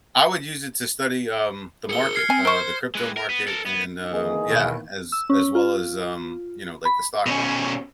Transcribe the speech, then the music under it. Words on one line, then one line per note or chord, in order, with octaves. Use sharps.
I would use it to study, um, the market, uh, the crypto market and, um, yeah, as as well as, um, you know, like, the stock market,
G#4 A#4 C#7 G7
F6 G#6 C7
C4 G#5
A#4 C5 C6 C#6 G7
G#3 B4
A#4
B3
A4 A#4
B3
D#3 E3 A#3 G#4 D#5
D#2 B2
E6
C#4
F4
B5
B2 C#4